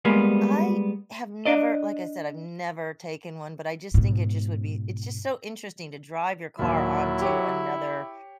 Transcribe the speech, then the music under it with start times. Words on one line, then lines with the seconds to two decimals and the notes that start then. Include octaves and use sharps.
I have never, like I said, I've never taken one, but I just think it just would be it's just so interesting to drive your car onto another,
0.05 G3 G#3 A#3 B3
1.46 D4 D5 D#5
3.94 G#2 B2
6.59 D#2 A#2 F#3 E4
7.21 G4 C#5